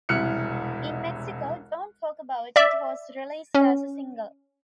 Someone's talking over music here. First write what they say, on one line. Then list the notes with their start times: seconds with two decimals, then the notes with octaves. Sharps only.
In Mexico, "Don't Talk About It" was released as a single.
0.09 E1 C2 E4 F6 F#6 C#7
2.56 D5 E5
3.54 C#4